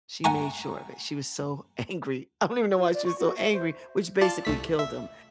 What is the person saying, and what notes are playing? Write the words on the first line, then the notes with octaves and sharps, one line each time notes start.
She made sure of it, she was so angry I don't even know why she was so angry, which basically killed him,
F#5 G#5 A#5 C#6
F4
D5
C#6
F#4
E5
C5
F4 D5 A5
C2 A3 B6
E5